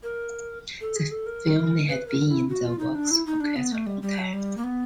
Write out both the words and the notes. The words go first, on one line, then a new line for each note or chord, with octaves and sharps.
The film had been in the works for quite a long time.
A#4
A4
G#4
A4
A#4
B4
A#4
E4
F#4
F4
D#4
D4
E4
D#4
D4
B3
A3
G3
G3
F#3
G3
A#3
B3